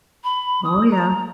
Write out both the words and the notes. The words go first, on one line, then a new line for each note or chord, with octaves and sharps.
Oh, yeah.
B5
D#6
A#5